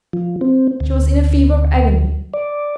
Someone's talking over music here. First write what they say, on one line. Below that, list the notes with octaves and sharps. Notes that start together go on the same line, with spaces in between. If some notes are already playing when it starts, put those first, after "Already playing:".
She was in a fever of agony.
F3
C4
D2
D5